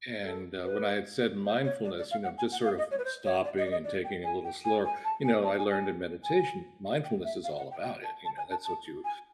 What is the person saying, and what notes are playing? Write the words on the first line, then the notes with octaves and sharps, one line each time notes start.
and, uh, when I had said mindfulness, you know, just sort of stopping and taking it a little slower. You know, I learned in meditation, mindfulness is all about it, you know, that's what you
A4
B4
C5
C#5
D5
D5
F5
F#5
G#5
F#5
F5
D#5
C#5
B4
C5
C#5
D5
D#5
D5
D#5
D5
G5
G#5
G5
G#5
G#5
A5
G#5
A5
G#5
G#5
G#5
G5
E5
F5
F#5
G5
G5
A5
A5
G#5
A5
A5
G#5